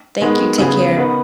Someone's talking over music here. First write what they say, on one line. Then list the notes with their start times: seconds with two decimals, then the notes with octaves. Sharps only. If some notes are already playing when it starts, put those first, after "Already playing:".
Thank you, take care.
0.21 D#3 G#3 B3
0.58 C#3 B3 G#4
0.96 D#3 B3 D#4 B4